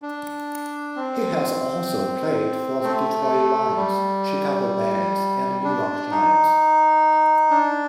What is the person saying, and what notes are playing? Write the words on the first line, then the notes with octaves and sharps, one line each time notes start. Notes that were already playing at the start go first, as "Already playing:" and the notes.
He has also played for the Detroit Lions, Chicago Bears, and New York Giants.
D4
C4
A3
G3
D4
D#4
D4